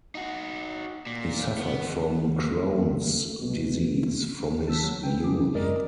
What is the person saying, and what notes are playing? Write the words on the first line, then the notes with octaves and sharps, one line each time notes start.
He suffered from Crohn's disease from his youth.
D#4 F#4
A#2
B3
A#3
A3
B2
A5 E6 B6
F#3
B4 G5
G#4 D6
E3
G#1 F#2 G#3 A#4 D5 D#5